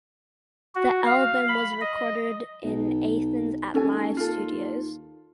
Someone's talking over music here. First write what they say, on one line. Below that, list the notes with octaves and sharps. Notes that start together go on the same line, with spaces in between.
The album was recorded in Athens at Live Studios.
F#4
F5
B5
D#5
B1
D#2 C#4 A4 G#5
F4 A4